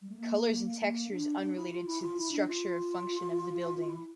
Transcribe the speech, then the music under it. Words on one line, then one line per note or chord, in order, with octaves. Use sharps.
Colors and textures unrelated to the structure of function of the building.
G3
A3
A#3
A#3
D4
D4
E4
F4
E4
F4
E4
D4
F4
E4